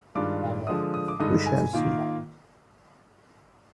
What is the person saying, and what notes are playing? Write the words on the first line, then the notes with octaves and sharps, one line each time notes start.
We shall see.
G2 D#3 G#3 D4 F4 D6
D3 F3 G#3 D4 D#6
D#6
D6
G2 D3 G#3 D#4 D#6
G#5
D#3 A#3 F4